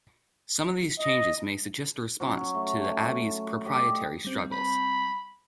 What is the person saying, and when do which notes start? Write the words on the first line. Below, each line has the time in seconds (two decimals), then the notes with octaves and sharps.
Some of these changes may suggest a response to the abbey's proprietary struggles.
0.98 D#5
2.20 F#3 C#4
2.55 A3
3.65 G4 D5 D#5
4.25 G3 C4
4.52 B5